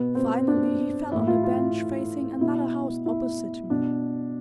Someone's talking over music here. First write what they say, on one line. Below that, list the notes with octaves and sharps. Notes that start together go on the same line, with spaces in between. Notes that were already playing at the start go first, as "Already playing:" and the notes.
Finally he fell on a bench facing another house opposite me.
Already playing: B2 B3
C4
D4
A2 E3 E4
F4
F4
B2 E4
E4
B2 D4